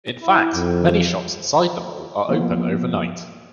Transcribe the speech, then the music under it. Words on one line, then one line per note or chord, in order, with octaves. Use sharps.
In fact, many shops inside the mall are open overnight.
E4
F2
F3 A#3 B3